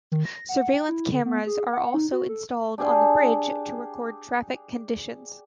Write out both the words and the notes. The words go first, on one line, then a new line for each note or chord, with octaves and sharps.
Surveillance cameras are also installed on the bridge to record traffic conditions.
D#3
A#6
F#5
G5
E4
D3
B3
G#4
F#5
D#4
F#4
A4
D4 G4 G#4